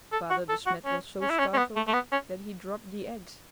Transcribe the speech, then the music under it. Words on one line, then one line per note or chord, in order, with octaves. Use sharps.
Father De Smet was so startled that he dropped the eggs.
A4
F#4
A4
F#4
C#4
C#4
E4
C#4
C#4
B3
A3
A3
B3
C#4